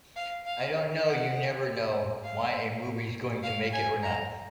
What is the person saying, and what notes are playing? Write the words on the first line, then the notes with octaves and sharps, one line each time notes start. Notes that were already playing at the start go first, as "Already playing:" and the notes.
I don't know-you never know why a movie's going to make it or not.
F5
F5
F#5
F5
F5
G#5
A#5